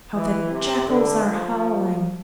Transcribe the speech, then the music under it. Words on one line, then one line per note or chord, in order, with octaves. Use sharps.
How the jackals are howling....
E3
C3
D3
F3